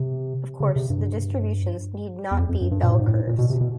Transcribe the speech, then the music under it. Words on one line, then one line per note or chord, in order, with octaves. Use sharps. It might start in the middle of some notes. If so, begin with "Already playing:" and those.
Of course, the distributions need not be bell-curves.
Already playing: C3
C#3
C3
G2
E2
F2
F2
F#2
G2
A#2
A2
G#2
A2
A#2
B2
C3
B2